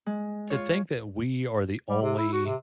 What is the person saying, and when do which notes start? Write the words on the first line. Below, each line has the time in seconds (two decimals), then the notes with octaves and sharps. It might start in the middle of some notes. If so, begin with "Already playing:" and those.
to think that we are the only
0.06 G#3
0.50 F4 C#5
1.89 G3
2.02 C3
2.18 E4
2.32 F#4
2.46 C3